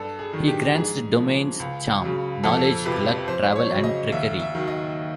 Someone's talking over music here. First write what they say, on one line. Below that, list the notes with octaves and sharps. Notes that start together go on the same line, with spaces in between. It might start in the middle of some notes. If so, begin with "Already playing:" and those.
He grants the domains Charm, Knowledge, Luck, Travel and Trickery.
Already playing: G2 A4
G#4
D#3 F#3
G4
G#2 G#4
F3
C#2
C#3 F#3
F2 A4
C3 F3 B4
F2 C5
C#5
C#3 F#3
D#5
D#2 E5
E5
D#3 F#3
D#5